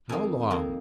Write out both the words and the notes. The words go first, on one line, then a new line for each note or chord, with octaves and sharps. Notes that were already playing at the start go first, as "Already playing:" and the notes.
"How long?"
F2 D#3 A#3 G#5
F2 D#3 A#3